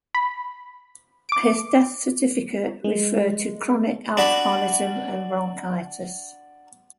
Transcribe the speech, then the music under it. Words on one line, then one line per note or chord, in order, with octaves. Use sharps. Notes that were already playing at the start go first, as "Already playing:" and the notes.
His death certificate referred to chronic alcoholism and bronchitis.
B5
D6 D7
G#3
D4 F#4 B5